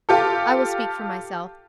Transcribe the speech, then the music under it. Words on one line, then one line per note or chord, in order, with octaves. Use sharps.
I will speak for myself.
F4 G4 A4